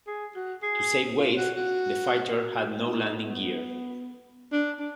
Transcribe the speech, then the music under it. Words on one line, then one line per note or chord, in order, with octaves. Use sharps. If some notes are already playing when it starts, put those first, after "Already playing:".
To save weight, the fighter had no landing gear.
G#4
F#4
G#4
F4
F#4
F#4
D#4
D#4
B3
D4
D4